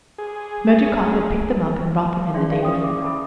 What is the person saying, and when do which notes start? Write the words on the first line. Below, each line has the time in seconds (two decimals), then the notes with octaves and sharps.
Smerdyakov had picked them up and brought them in the day before.
0.18 G#4
2.34 C#4 F4 G#4 D5 E5 C6
2.50 G4 D5 F5
2.62 G5 D#6
2.80 G4 E5 D6
3.04 E4 A4 B4 A5 B5